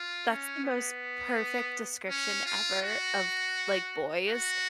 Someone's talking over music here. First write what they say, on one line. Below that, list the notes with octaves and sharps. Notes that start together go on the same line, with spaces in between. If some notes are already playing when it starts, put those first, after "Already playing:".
that's the most perfect description ever of, like, boys,
Already playing: F4
C#4
B3
C#4
F4
F#4
F#4